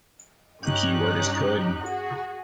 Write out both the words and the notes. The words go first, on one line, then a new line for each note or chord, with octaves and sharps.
The key word is 'could'.
G2 C#4 D#4 G4 F#6
F#4 G#4